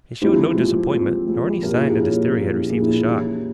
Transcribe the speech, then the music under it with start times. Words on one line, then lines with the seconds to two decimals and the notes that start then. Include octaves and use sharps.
He showed no disappointment, nor any sign that his theory had received a shock.
0.22 F3 G#3 C4 E4 G4
0.57 F3 G#3 C4
0.92 F3 G#3 C4
1.27 F3 G#3 C4
1.63 A#2 F3 A#3 C#4 G4 A#4
1.74 F4 G#4
1.86 E4 G4
1.98 A#2 F3 A#3 C#4
2.34 A#2 F3 A#3 C#4 F4
2.51 E4 G4
2.69 A#2 F3 A#3 C#4 F4 G#4
2.81 E4 G4
2.93 F4
3.04 E3 A#3 C#4 E4 G4